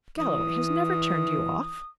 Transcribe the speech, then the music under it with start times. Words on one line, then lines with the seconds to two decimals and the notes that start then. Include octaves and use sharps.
"Galloway has never turned you off!"
0.18 E3 D#6